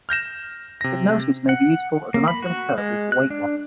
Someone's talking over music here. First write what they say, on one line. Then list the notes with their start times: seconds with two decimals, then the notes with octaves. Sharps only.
Hypnosis may be useful as an adjunct therapy for weight loss.
0.09 F6 G6 A#6 E7
0.81 C3 A#6
1.49 F#5
2.14 A#3
2.28 B5
2.43 F#4
2.78 G#3
3.12 F#6
3.30 D4